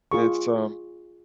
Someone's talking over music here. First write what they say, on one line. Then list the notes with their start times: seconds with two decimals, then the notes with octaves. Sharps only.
it's, um,
0.12 F4 G#4 C#6